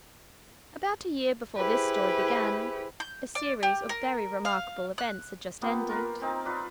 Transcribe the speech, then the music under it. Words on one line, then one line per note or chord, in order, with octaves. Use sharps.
About a year before this story began, a series of very remarkable events had just ended.
E4 G4 G#4 B4 C5
G6
D5
G4
A#4
F5
F#6
A#3 B3 F4 G4
F4 A#4 B4
C4 D#4
F4 B4 D5